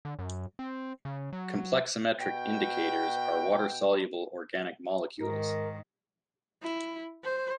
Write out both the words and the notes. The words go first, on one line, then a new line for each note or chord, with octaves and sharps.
Complexometric indicators are water-soluble organic molecules.
D3
F#2
C4
C#3
F#3
B2 G5
G#2 D#3 A#4
E4
C5